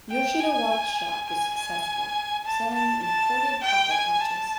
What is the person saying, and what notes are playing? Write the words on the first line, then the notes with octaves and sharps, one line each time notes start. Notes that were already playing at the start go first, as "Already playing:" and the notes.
Yoshida Watch Shop was successful, selling imported pocketwatches.
G5
G#5
G#5
G#5
A5
A5
A5
G5
G#5
A5